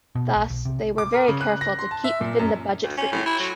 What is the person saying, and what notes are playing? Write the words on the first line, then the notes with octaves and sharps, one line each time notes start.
Thus they were very careful to keep within the budget for each.
B2
B1
B1
C3
D6
A#4
C#3
F#6
A#6
C6
A5
E5
A#2
F#2
D2
C#4
A2
E4
F#3